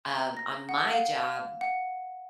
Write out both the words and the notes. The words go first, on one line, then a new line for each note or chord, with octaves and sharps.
Um, on my job
A#5
A#6
F#5
F5
F#5